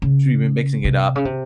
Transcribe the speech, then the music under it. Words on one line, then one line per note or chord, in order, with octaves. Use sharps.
so we've been mixing it up,
C#3
C3
C#3
C3